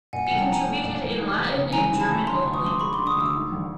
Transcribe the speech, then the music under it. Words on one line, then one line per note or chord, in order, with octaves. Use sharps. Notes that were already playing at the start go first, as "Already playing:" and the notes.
He contributed in Latin and German only.
A#2 F#5 G#5
F#5 G#5
C2
G5 A5
F3 G#5 A#5
A3
A#2
C2
D#2
F1
C#3
E3 G#5 A#5
D#2
A5 B5
F1
D3 A#5 C6
D2
C#6 D#6
F3 C6 D6
G#3 B5 C#6
C6 D6
D3
C#6 D#6
D2 D6 E6
G#2
A#1